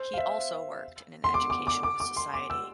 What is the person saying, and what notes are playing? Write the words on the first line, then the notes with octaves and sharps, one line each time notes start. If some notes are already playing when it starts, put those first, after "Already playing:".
He also worked in an educational society.
Already playing: C5
F5
E5
C6
D6
D6
D6
D6
D6
C6
D6
E6